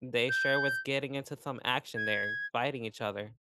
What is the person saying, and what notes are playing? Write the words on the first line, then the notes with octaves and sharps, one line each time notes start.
they sure was getting into some action there, fighting each other.
G6
G#6